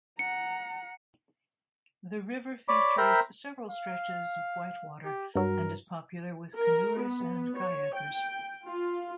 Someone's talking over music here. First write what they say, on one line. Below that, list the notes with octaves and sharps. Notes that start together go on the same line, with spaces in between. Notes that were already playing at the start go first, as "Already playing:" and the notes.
The river features several stretches of whitewater, and is popular with canoers and kayakers.
F#5 A#5 C#7
C#5 D5 B5 D6
A#4 C5 E5 G5 A#5 B5
F5
G4
G2 F#3 A#4
A#4
B3
C#5
G5
F4